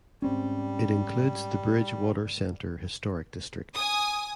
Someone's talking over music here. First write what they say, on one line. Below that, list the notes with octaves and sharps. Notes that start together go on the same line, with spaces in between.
It includes the Bridgewater Center Historic District.
G#2 G3 C4 C#4
G#5 D#6